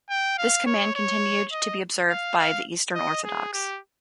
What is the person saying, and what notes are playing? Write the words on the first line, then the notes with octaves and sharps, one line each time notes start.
This command continued to be observed by the Eastern Orthodox.
G5
F5
C#5
C#5
D#5
F5
F5
D#5
G#4
G4